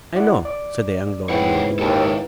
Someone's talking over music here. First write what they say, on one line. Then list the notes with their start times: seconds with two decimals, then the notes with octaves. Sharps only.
"I know," said the young lawyer, nodding.
0.15 E4 D5 F#5
0.45 D5 D6
1.29 G#2 C#4 E4 B4 C#5 F#5 G5
1.79 D#2 A4 C#5 G5